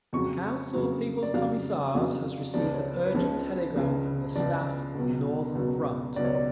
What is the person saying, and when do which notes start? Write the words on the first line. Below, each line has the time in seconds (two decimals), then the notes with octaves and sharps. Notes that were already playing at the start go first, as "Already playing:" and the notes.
The Council of People's Commissars has received an urgent telegram from the Staff of the Northern Front....
0.13 F2 C#3 F#3 C#6
0.74 F2 C#3 F#3
1.23 D5
1.34 F2 C#3 F#3 F5
1.95 F2 C#3 F#3
2.54 C#2 C#3 F3 D5
2.74 C#5
2.95 B4
3.06 B4
3.14 C#2 C#3 F3 C#5
3.75 C#2 C#3 F3
4.36 C#2 C#3 F3 D5
4.95 C#2 B2 F#3
5.55 C#2 B2 F#3
6.16 C#2 B2 F#3 D5
6.25 C#5
6.35 D5